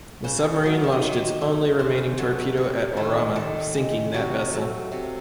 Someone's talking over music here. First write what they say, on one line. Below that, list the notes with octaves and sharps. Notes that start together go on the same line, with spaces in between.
The submarine launched its only remaining torpedo at "Orama", sinking that vessel.
C#3 C5
F#3 A3
E5
D#5
D#3 C#5
A3
C#3 C5
F#3 A3
C3
D#3 A3
D#3 A4
G#3
C3 F#4
F#3 A3
C3